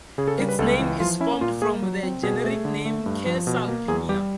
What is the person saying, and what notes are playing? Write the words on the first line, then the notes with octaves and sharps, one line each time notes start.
Its name is formed from the generic name "Caesalpinia".
C#3 G#4
A4
G3 A#4
B4
C#2 A4
E3
F3 F4
C#4 E4
A#2 F4
A#3 G#4
F#3
C4
B2 G#4
A3
D3
A3
G2
F3
B2
A#3
E2 G#4
G3 G4